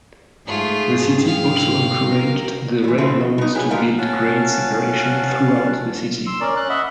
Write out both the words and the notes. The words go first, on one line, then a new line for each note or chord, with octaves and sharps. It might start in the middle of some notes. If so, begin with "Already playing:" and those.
The city also encouraged the railroads to build grade separation throughout the city.
G#2 A3 F4 G#4
F5 G5
A#4
E3 G3
B2 F3 A3 C4
D#5
B2 D#4
A2 F#3 B3 G#4
D3 F3 G3 D#4 F4 A#4
C#4 F5 F#5 A5
C6 E6
C#4 A#4 D5
C#4 F#6
D#5 E5 F#5 B5